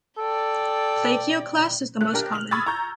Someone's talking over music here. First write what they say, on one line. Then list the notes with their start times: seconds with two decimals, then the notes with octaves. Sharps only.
Plagioclase is the most common.
0.18 A4 D5 G5
2.01 A3 F#6
2.13 D4 G4 A#4
2.33 F6 F7 F#7
2.51 B5 C#6 D#6 E6 G#6 A6
2.66 A#5 C#6 G6